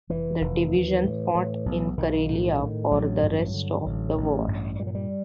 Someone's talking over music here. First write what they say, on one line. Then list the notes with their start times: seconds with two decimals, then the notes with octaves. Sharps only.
The division fought in Karelia for the rest of the war.
0.09 F1 E3
0.41 F1
0.72 D#2
1.04 A2
1.35 A2
1.66 B1
1.97 B1 D#3
2.29 A2
2.60 A2
2.91 A1 F#3
3.23 G2
3.54 D3
3.86 A1
4.17 A1
4.48 G2
4.79 A#2 G3
4.87 F#3
4.95 G3